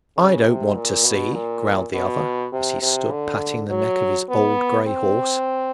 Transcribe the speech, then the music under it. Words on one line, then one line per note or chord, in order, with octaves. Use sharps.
"I don't want to see," growled the other, as he stood patting the neck of his old grey horse.
C#3
C3
A#2
B2
A#2
B2
C3
C3
D3
F#3
B3
C4